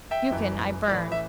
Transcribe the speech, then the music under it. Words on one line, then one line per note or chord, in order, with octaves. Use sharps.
"Buchan" I burned.
E5 G5
F#1 F#2 E3
A1 A2 E3 D5
E5